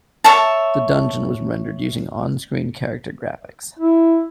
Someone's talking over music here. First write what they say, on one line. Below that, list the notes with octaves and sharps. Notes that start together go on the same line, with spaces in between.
The dungeon was rendered using on-screen character graphics.
C#5 E5 A5
E4